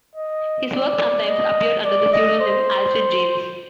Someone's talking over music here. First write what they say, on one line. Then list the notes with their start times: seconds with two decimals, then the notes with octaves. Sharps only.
His work sometimes appeared under the pseudonym Alfred James.
0.15 D#5
0.73 D5
1.28 D#5
1.85 D5
2.13 D#5
2.41 C5